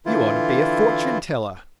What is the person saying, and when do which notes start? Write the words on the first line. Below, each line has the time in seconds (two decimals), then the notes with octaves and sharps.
"You ought to be a fortune teller."
0.06 D3 E3 E4 F4